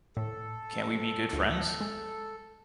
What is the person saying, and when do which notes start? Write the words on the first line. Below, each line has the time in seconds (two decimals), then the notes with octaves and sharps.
Can’t we be good friends?
0.17 A2 A4
1.33 D2
1.81 G#3